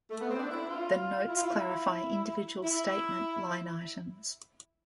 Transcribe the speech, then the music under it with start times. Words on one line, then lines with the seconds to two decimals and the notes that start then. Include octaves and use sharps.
The notes clarify individual statement line-items.
0.11 A3
0.21 B3
0.31 C4
0.40 D4
0.50 E4
0.70 F4
1.29 E4
1.36 F4
1.44 E4
2.64 E4